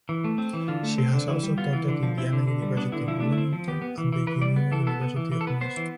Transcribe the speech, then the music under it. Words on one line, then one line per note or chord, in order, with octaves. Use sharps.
She has also taught at Indiana University Bloomington and the Geneva University of Music.
E3
A3
C4
E3
D3 F4
A3
C4
D3
E3 E4
G3
B3 F4
E3
D3
F3
C4 E4
D3
D3
G3
B3 D4
D3 E4
F3 E4
A3 D4
E4
C4
F3
B3 G4
B3
E3
E3
E3 B4
G3 D5
B3
E3 A4
B3 A4
B3
E3
E3
A4
B3 B4
B3 C5
E3